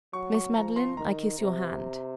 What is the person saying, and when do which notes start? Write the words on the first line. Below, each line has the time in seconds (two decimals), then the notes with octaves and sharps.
Miss Madeline, I kiss your hand.'
0.13 F#3 C#6
0.34 C#6
0.55 F3 A#5
0.76 C6
0.97 D#3 A#5
1.39 C3